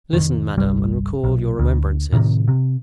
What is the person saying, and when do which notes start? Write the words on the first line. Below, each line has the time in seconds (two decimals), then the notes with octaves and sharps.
Listen, madame, and recall your remembrances.
0.13 F1 D#3
0.57 G1 C2 G3
1.24 B1
1.59 D2
2.12 A2 C3 D#3
2.48 C3